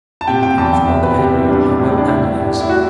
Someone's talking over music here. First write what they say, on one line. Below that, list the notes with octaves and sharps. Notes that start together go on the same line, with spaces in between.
'You will hear from uncle Henry how well Anna is.
A5
C3 G5
G5
E2 A5
G5
E2 E5
B4
C3 G4
E4
G3 D4
A2
D4
G3 E4
A2
E4
F#4